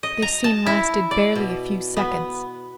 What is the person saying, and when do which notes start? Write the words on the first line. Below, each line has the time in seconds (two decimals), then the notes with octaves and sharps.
This scene lasted barely a few seconds.
0.03 D#5
0.22 A#5
0.44 A5
0.66 E4
1.11 D5
1.35 B2
1.97 B3